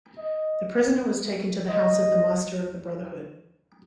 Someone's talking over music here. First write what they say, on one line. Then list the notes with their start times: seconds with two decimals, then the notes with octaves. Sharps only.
The prisoner was taken to the house of the Master of the Brotherhood.
0.18 D#5
1.69 D#5